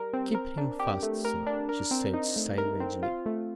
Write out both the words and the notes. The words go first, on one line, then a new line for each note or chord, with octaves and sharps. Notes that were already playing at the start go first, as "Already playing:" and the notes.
"Keep him fast, sir," she said savagely.
Already playing: G3 A#4
C4
A#4
D4
G4
A3
A#4
D4
A#4
C4
D#4
A3
A#4
C4
F4
A3